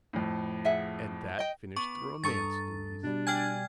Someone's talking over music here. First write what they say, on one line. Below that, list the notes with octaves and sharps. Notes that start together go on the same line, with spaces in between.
"And that finished the romance, Louise."
F2 A2
G#4 E5 F#5
D#5 G5
B3 C#6 D6
G2 A4 A#5 C#6 D#6 A6
B2 G3 D4
D5 G5 G#5 F6 G#6